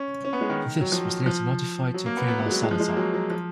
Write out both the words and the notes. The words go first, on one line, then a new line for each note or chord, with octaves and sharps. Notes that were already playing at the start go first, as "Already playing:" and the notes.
This was later modified to Vila Salazar.
Already playing: C#4
C#4
B3
G#3
D#3
F#3
F3
F3
F#3
A#3
B3
B3
B3
G#3
F#3
G#3
F3
G#3
A#3
F#3
F#3
F3